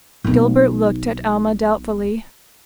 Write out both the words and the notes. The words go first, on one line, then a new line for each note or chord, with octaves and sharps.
Gilbert looked at Alma doubtfully.
B1 D#4